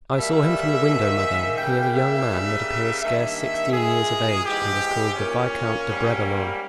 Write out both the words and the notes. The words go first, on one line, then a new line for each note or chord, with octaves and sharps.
"I saw him from the window, madame; he is a young man that appears scarce sixteen years of age, and is called the Viscount de Bragelonne."
B2 G3 A#3 E5
G#2 D#3 A#3
C#3 G3 A#3 G5
E5
C#3 G3 A#3
G2 D#3 A#3 E5
A#2 G#3 G#4
G#2 E3 G#3 G4
A#2 A#3 C#4
G#2 G3 A#3